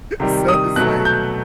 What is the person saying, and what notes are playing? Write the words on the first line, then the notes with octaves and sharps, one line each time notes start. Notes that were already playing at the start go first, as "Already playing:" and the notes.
so it's like,
C3 D#3 G3
D#6
B2 F#3 A3 F#6
G6